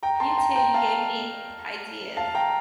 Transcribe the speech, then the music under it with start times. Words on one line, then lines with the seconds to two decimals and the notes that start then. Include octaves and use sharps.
You too. You gave me ideas.
0.03 G5 A#5
0.20 A5 C6
0.38 G5 A#5
0.56 G5 A#5
0.74 F5 A5
2.17 F5 A5
2.35 G5 A#5